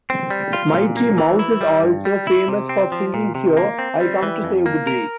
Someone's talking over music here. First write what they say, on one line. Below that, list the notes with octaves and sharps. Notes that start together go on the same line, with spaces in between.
Mighty Mouse is also famous for singing Here I come to save the day!
C4
G3
F4
A#2
A#3
E3
E4
G3
G2
G3
E4
C3
C4
F3
A#2
C3
A#3
C4
G3
E3
F2
A#3
A#4